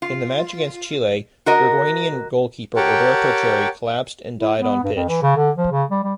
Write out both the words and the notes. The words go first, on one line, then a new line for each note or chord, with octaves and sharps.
In the match against Chile, Uruguayan goalkeeper Roberto Chery collapsed and died on pitch.
F4
F#4 A#4 D#5
G4 A#4 C#5 F#5 G5 A5
E4
B3
G2
F2
E3
C#3
D3
F3
C#3
G3
G3